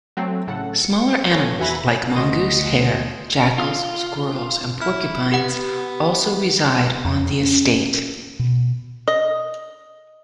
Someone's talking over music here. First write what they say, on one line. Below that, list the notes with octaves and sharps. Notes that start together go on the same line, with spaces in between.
Smaller animals like mongoose, hare, jackals, squirrels and porcupines also reside on the estate.
F#3 A3 C4
A2 C#3 A4 F#5
C#7
A4 B4 C#5 F5 G#5
E2 F#4 E5 G#5 A#5 B5
D2 F#4 D#5 C6 D#6
F4
E4 F6
B3 G4 F#5
F2
C#4
B2
D#5